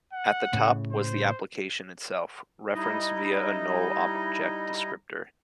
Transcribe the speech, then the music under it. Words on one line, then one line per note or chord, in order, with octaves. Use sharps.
At the top was the application itself, referenced via a null object descriptor.
F#5
A2 C#3
C5
G3 D#4 E4 D#5